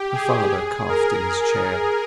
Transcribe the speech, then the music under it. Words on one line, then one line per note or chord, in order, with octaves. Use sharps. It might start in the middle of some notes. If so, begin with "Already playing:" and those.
Her father coughed in his chair.
Already playing: G4
G#4
A#4